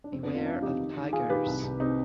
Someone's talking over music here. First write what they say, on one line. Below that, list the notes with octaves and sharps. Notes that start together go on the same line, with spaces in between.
Beware of tigers.
D4
F2 C4
B3 D4
F2
D4 F4
D#3 D4 F4
F2 D#4 G4
D#3
D#3
D#3 F4 G#4
D#3 G4 B4
C2
C2
C3 C4 D#4